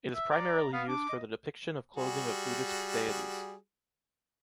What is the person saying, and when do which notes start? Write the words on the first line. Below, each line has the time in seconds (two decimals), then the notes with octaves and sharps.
It is primarily used for the depiction of clothing of Buddhist deities.
0.15 E5
0.31 D5 A#5
0.73 B3 F5
0.88 D4 D6
1.09 D#5
1.96 G3 F#4 G#4